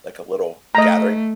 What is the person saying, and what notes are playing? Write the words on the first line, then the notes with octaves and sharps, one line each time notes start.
Like a little, gathering,
A3 D#5 A#5